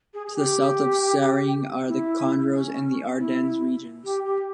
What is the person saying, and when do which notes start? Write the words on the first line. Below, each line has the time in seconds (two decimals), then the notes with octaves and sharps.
To the south of Seraing are the Condroz and the Ardennes regions.
0.13 G#4
0.26 G#4
0.35 G4
1.87 E4
2.52 C#4
3.17 E4
4.04 G4
4.25 G4